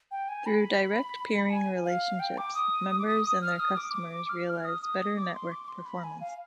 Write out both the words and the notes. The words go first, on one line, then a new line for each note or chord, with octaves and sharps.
Through direct peering relationships, members and their customers realize better network performance.
G5
G#5
B5
G#5
F5
G5
D6
D#6
D#6
D6
D#6
D#6
F6
D#6
D6
D6
F6
F6
D#6
D#6
D#6
D6
C6
D6
D6
C6
B5
G#5
F5